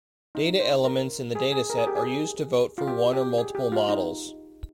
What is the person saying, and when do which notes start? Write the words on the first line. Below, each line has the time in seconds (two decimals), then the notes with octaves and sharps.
Data elements in the dataset are used to vote for one or multiple models.
0.35 D#4
0.60 C5
0.85 A#4
1.35 G#4
1.52 G#4
1.70 A#4
1.78 G#4
1.87 G4
1.96 G#4
2.78 F4
2.87 G4
3.13 G4
3.38 G#4
3.55 G4
3.72 F4
3.88 D#4